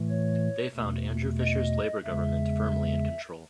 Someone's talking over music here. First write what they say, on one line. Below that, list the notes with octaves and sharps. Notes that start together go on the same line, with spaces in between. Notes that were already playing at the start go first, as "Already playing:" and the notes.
They found Andrew Fisher's Labor government firmly in control.
Already playing: A2 E3 A3
C#5
E2 B2 A3
D#5
E2 C#3 G#3 E5